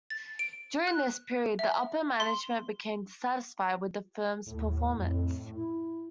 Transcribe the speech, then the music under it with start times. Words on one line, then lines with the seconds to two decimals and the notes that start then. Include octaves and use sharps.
During this period, the upper management became dissatisfied with the firm's performance.
0.10 A6
0.39 D7
0.87 F#6
1.59 E5
2.20 C6
4.47 D#2 A2
4.90 F2
5.54 E4